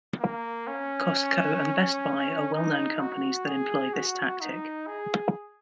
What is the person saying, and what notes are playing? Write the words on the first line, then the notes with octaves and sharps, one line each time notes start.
Costco and Best Buy are well-known companies that employ this tactic.
A#3
C#4
D#4
F#4
G#4
F#4
D#4
G#4